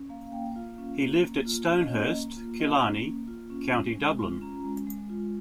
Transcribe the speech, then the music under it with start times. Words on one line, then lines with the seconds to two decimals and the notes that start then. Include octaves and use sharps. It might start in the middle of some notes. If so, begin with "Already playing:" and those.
He lived at Stonehurst, Killiney, County Dublin.
Already playing: C#4
0.09 A#3 F5
0.26 F5
0.32 A#3 G5
0.56 F4 F5
0.78 C#4
1.01 A#3
1.23 A#3
1.46 F4
1.68 C#4 F5
1.79 D#5
1.88 A#3 C#5
1.98 D#5
2.14 A#3
2.37 F4
2.60 C#4 D#5
2.82 A#3
3.05 A#3
3.28 F4
3.50 C#4
3.73 G#3
3.95 G#3
4.19 F4
4.41 C#4 A#5
4.64 G#3
4.87 G#3
5.10 F4